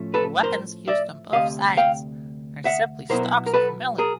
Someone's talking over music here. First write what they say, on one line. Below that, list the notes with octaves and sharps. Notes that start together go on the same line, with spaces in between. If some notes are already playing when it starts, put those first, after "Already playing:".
The weapons used on both sides are simply stalks of millet.
Already playing: A2 F3 A3 C#4
A4 B4
A#4 C5
D5 E5
D2 C3 D#5 F5
F5 G5
E5 F#5
B2 F#3 B3 E4 A#4 C5
A#4
A4 B4
G#4 A#4